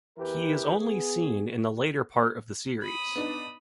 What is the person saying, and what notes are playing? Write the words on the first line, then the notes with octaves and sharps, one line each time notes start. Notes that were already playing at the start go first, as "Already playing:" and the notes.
He is only seen in the later part of the series.
E2 E3 G4 A#4 B4
B3 G#4
B5 D#6
B3 D4 D#4